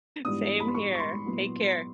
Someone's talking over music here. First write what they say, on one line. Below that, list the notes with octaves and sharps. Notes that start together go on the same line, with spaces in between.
Same here. Take care.
G#2 E3 G3 B3 D4 D#6
B5
C6
C#6
C#6
C6
A#2 F#3 B3 E4